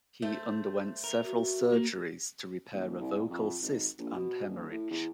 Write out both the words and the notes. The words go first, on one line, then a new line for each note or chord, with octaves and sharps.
He underwent several surgeries to repair a vocal cyst and hemorrhage.
A3 C5
A#4
F#4
A#3
D#1
C2
F2
G#1
A#1
B2
D#1
A2
E2